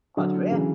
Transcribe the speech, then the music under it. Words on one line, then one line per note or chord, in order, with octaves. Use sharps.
Glad you're here.
D3 F#3
C#3 E3